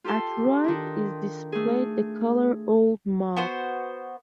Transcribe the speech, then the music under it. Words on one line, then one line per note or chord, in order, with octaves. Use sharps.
At right is displayed the color old mauve.
F4 G4 A4 A5 C6
D#3 D4
A3 G#4
B3 F#4 C5